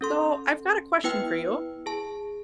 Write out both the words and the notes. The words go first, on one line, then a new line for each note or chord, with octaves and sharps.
So, I've got a question for you.
C#4 A4 C6
B3 E4 B4 G5 E6 F6
G#4 A5